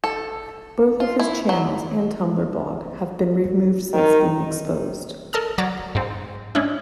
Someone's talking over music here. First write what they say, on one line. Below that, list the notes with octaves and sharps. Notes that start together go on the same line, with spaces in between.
Both his channels and Tumblr blog have been removed since being exposed.
A4
F4
E4
F#3
D#3
A4 A#4 A5 D#6 F6
F#3 D5 A#5 A6
G#2 C4
G#3 C#4 D4 E4